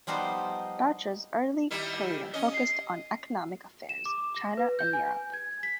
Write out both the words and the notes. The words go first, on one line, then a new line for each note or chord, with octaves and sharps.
Boucher's early career focused on economic affairs, China and Europe.
F3 G3 B3 D#4 C5
D#3 G3 E4
C#4 D#5
C7
E7
D6
A#6
B4
G6
G#5
G#6
B6